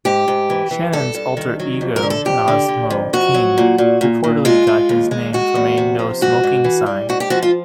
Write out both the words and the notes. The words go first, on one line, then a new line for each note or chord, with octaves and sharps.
Shannon's alter-ego Nosmo King reportedly got his name from a "No Smoking" sign.
G#2 G4
G#2
E3
E3
G2 A4
G2
D#3
F#3
F2
A#4
D3
A4
F2 G4
D3
D3
F2
F2 F#4
F#3
A#2
A#2
A#2
A#2
G#3 F4
G#3
D#2
G#3
G#3 F#4
E2
C3
F3
G#2 F#4
G#2
E3
G3
G#2 F#4
G4
F3 F#4
F4